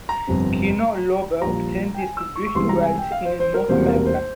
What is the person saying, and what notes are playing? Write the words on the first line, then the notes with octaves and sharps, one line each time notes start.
Kino Lorber obtained distribution rights in North America.
A#5
G1 F2 C3
A#1 A#2 G3 A#5
G5
G#5
E6
C#6
C#6
C2 C3 E3 G#3 C6
A#5
G#5
G5
F5
C5
C5
A#4
E1 E2 C3 G3 A#3 C5
A#4
C5